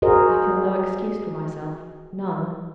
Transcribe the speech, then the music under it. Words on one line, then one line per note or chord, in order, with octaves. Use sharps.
I feel no excuse for myself, none.
F#4 G#4 A#4 C5 D#5